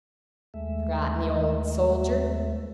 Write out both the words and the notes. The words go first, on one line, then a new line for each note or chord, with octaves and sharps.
Forgotten the Old Soldier!
D#2 G#3 A3 E5